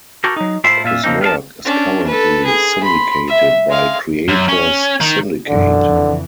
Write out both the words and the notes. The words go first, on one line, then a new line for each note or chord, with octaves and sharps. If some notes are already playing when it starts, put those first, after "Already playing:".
His work is currently syndicated by Creators Syndicate.
F#4 G4 A4 A#4
F#3 D#4
A2 E4 F4 C5 E5 G5
A#2 F4 E5
C#3 F3 A#3 C4 D#4
B3 A#4 F5 A5
C#4 D4
A4 B4
G#4
B5 C6
E5
G#3 F5
F#2
C#4
D#3
F#2 B2 D3 E3
F2 C#3 E3